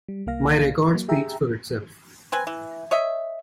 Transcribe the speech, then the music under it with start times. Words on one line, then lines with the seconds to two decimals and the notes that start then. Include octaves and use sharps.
My record speaks for itself.
0.08 G3
0.27 C2 A#3 F5 A#6
0.94 F#3 A#3
1.08 G4 G#4 E5 G5 A#5
2.32 C4 B4 G#5
2.47 E3
2.91 C#5 D#5 E5